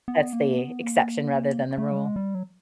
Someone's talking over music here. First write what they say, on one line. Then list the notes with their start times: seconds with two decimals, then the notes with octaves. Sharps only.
that's the exception rather than the rule.
0.08 B3
0.33 A#3
0.59 B3
0.83 A#3
1.78 A3
1.92 G3
1.97 G#3
2.16 G3
2.35 F#3